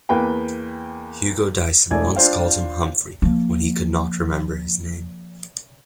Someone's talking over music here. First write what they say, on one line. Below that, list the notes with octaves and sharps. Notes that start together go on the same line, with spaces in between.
Hugo Dyson once called him "Humphrey" when he could not remember his name.
E2 A#3 B4 G5
E1 E3 A3 D5 G#5 G#6
D4 F4 C5 F5 G5
F3 A#3